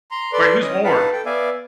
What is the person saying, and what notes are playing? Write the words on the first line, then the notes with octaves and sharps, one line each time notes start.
Wait, who's Ward?
A#5 C6
A4 B4 D5 C6
C#4 D#5 D#6
D#4 B4 F5 F#5 A5 B5
A4 G5
B3 D5 E5 F5 G#5